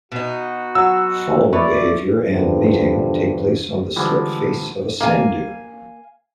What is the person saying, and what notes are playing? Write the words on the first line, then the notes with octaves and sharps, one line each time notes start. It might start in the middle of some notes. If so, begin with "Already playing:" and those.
Following behavior and mating take place on the slip face of a sand dune.
B2 D#4 F#4
F#3 E6
E4 B4 C#5 D5
E2 G2 D3 F3
D3 E3 F3 G3 G#3
A#3 F5 G#5